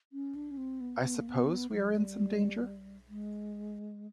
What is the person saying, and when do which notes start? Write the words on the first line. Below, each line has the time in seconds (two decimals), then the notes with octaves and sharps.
I suppose we are in some danger?
0.13 C#4
0.35 D4
0.51 C#4
0.57 C4
0.80 B3
1.04 B3
1.16 A#3
1.28 B3
1.72 F#3
1.95 G3
3.09 G#3